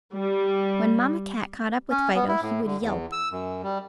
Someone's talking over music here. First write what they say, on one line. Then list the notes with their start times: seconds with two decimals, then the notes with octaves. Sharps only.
When Mamma Cat caught up with Fido he would yelp.
0.14 G3
1.90 C#4
2.15 B3
2.28 E4
2.41 A2
2.65 D3
2.81 E2
3.12 E6
3.32 F#2
3.63 G3